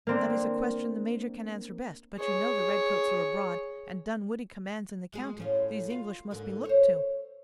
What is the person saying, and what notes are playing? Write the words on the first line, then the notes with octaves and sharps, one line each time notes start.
"That is a question the major can answer best; but you know the redcoats are abroad, and Dunwoodie commands in the county; these English must be looked to."
A#3 C4 D4
G#4 C#5
G#3 G#4
A2 C#4 F4
F4
G#2 D3 A#3
C5 C#5